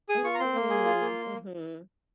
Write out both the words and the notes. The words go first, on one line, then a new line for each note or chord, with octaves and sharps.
Mm, mhm.
G#4 D#6
F4 C#6
A#5
C4 C6
A#3
G#4
F4
A#3